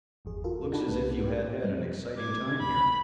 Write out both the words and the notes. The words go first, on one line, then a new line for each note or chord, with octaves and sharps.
"Looks as if you had had an exciting time here."
G1 E2 G#4
F4 F#4 A4 A#4
D4 D#4 F#5 A5 B5
C2 A#3 B4
G4
B2 G3 C#4
D6 G#6
B5